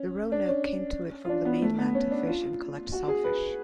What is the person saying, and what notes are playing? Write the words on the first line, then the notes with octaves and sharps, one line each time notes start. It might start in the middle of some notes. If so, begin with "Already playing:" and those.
The Roanoke came to it from the mainland to fish and collect shellfish.
Already playing: C#4
D4
C#4
F4
D4
B3
A3
B3
C#4
D4
F4
F#4
G#4
B4